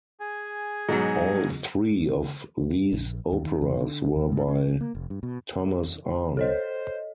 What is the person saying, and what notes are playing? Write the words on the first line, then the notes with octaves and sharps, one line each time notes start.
All three of these operas were by Thomas Arne.
G#4 G#5
G#2 B2 F#3
A#1
D#2
D#3
E2
D3
D#2
G#2
C#4
A#3
F1
G2
B2
A4 C5 C#5 D#5